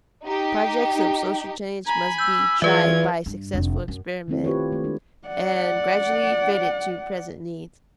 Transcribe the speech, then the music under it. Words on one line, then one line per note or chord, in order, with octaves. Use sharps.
Projects of social change must be tried by successful experiment, and gradually fitted to present needs.
D#4 G4
G#5 A#5 B5
E6 G6
E3 F4 G#4 B4 D5 E5 G#6
G2
F1 D3
F#2
D#3 A3 C4 E4
F4 G4 B4 C#5
D#3
D#3 A3
G#3 C4 D4
D5 F#5